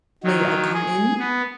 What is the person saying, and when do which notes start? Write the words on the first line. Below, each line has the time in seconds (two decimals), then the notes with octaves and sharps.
"May I come in?"
0.23 D#3 F#3
0.74 G#4
1.19 B3